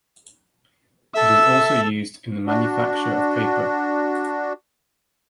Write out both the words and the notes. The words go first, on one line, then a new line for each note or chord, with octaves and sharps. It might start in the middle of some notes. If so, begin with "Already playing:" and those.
It is also used in the manufacture of paper.
A4 E5 E6
D4 F#4